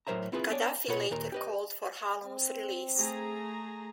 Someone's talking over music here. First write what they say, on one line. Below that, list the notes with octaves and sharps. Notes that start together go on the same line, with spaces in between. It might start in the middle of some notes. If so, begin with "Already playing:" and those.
Gaddafi later called for Hallum's release.
A2 F#3 A#4 C5 E5 A#5
C4 E4 F4 G#4 B4
B3 D4 C#5 D5 G#5
B2 F4 B4 C#5 F#5 B5
D#2 A#2 A#4 A#5
G4 B4 D#5
C4
A3 G#4 A#5